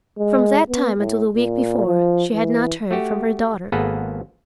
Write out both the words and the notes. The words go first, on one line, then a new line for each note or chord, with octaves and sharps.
From that time until a week before, she had not heard from her daughter.
G#3
B3
A2
A#2
F3
E3
A3 F#4 G4
G#1 A#3 B3 G#4 A4 B4